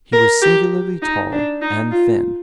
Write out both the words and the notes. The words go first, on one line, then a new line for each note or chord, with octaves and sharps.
He was singularly tall and thin.
A#4
G4
D#4
D4
D#4
F4